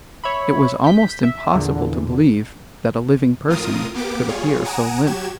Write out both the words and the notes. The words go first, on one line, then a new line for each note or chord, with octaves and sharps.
It was almost impossible to believe that a living person could appear so limp.
C#5 E5 B5
G6 B6
E5
E2 A#2 D3
F2 A2 F4 A#4 D#6
A#3 B3 G4 D6
G3 F4 G#4 C#5
F#5 G#5 A#5 D#6 D7 E7
F#3 F#4 G4 G#6 E7